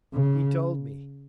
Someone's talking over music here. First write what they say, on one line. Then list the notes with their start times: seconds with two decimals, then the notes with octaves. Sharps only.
He told me.
0.14 C#3